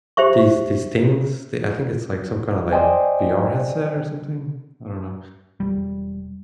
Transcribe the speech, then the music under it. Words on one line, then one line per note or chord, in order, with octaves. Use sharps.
these these things the I think it's, like, some kinda, like, VR headset or something? I don't know,
G4 C5 E5 C#6
C5 D5 D#5 G5 G#5
E1 D#2 G3